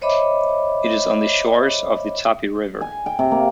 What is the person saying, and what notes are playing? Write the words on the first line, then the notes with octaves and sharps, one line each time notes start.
It is on the shores of the Tapi River.
C5 C#5 D#5 E5 B5 D6
G#5
G5
C3
A#3